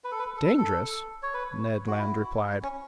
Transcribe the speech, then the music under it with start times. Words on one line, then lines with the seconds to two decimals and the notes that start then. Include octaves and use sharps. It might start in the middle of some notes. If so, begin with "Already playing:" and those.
"Dangerous?" Ned Land replied.
0.04 B4
0.12 A4
0.19 B4
0.37 A4
0.47 A4
0.57 A4
1.22 C#5
1.34 B4
1.88 F#4
1.99 E4
2.63 C#4